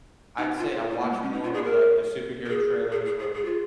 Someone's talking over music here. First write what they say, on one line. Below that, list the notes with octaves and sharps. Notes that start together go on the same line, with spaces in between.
I'd say I watch more of, like, the superhero trailers, where
D#4
F4
F4
F4
A#3
G#3
C#4
D#4
F4
G#4
A#4
A#4
G#4
G#4
G#4
G#4
G#4
F4